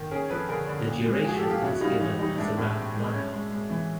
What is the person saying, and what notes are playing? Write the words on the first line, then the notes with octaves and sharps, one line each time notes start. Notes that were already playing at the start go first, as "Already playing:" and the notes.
The duration is given as around one hour.
Already playing: D#3
C#4 G#4 A#4
F3 A4 B4
D3 G#4 A#4
D3
A#2
G#3
F3 F#4 G#4
G4 A4
F3
F4 G4
C#3 E4 F#4
F#4
G3 D#4 F4
E3 D#4
G3 D#4
G#3 D4 E4
A2
C4
G#3
C#4
G#3
G#3
E3